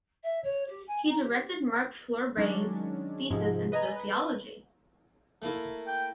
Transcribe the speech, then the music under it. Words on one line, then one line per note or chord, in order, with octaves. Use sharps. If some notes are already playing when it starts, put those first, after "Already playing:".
He directed Marc Fleurbaey’s thesis in Sociology.
E5
C#5
G4
G#5
D#4
G4
D#3 F#3 G#3 C#4 D4
G#2 C3 F3 G#3
B4 D#5 G#5 A#5
B4
A3 A#3 E4
G5